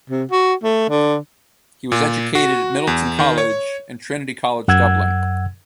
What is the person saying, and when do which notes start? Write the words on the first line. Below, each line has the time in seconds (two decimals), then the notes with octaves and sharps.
He was educated at Midleton College and Trinity College Dublin.
0.10 C3
0.31 F#4
0.64 A3
0.89 D3
1.92 A#2
2.35 F#4
2.87 E2
3.19 D#3
3.38 C#5
4.68 F#2 F#5 E6 G#6